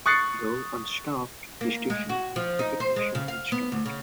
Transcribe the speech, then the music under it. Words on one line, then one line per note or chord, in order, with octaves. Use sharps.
Though unstaffed, the station has a ticket machine installed.
C#6 D#6 F#6 A6 C7 C#7
A#3
G#3
F#4
F3
D#4
C5
G#3
C#3
F5
B3
D2
C#3